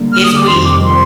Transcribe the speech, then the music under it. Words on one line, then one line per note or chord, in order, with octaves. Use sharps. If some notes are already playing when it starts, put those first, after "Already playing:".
It's weave.
Already playing: D3 G3 A#3
F6
D#6
D6
F2 C3 D#3 G3 C4 C6
D6
C6